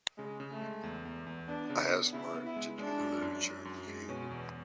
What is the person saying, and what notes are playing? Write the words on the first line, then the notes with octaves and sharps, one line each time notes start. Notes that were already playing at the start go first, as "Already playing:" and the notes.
I asked Mark to do the literature review.
C#3 G#3
C#3
A3
G#3
E2
E2
E2
B3 D4
C#3
B3
C#3 E4
B3
E4
G#3
G#3 D4
F#2
F#2
F#2
F#2
G#3
B2 C#4
E2